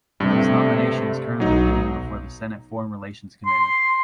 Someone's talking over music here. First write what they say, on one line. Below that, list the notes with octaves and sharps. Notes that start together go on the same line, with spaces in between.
His nomination is currently pending before the Senate Foreign Relations Committee.
G2 C3 A3
B1 F#3 D#4
C6